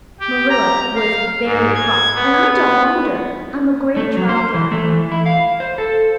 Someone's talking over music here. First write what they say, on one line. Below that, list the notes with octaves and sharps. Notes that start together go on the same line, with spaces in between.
Marilla was very cross and I don't wonder. I'm a great trial to her.
G4
A#5
F5
G#2
G#6
B3
B3
A3
F#3
C5
E3
A3
E3
E4
F5
C5
A4